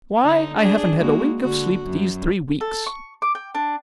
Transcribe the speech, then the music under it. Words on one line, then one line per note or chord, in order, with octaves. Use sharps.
Why, I haven't had a wink of sleep these three weeks!'
D3 D#4
D4 G#4
G#3 A#3 F#4
D3 F#4
F#2
A4
C#6
D6
G5
D4